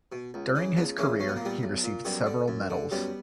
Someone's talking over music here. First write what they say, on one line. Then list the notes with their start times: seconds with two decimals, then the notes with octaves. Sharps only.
During his career, he received several medals.
0.12 B2
0.34 C#2
0.55 C#3 E3
0.77 C#2 B3 D4
0.98 C#3 E3 A#3 C#4
1.19 B1 C#4
1.28 B3
1.36 A#3
1.41 A#2 G3 B3
1.63 B1
1.84 A#2
2.05 F#2 G3 B3
2.26 D3
2.48 F#2
2.70 D3
2.91 F#2 G3 B3